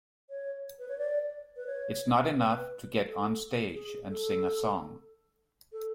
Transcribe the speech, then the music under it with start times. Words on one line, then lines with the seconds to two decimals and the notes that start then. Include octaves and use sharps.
It's not enough to get on stage and sing a song.
0.30 C#5
0.79 B4
0.88 C#5
0.98 D5
1.56 B4
1.67 C#5
2.37 B4
3.05 A4
3.74 G#4
4.09 A4
5.72 A4